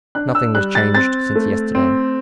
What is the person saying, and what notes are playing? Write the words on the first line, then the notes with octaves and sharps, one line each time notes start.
Nothing was changed since yesterday.
D4 F#6
E6
G3 F#6
A6
C4 A6
A3
C4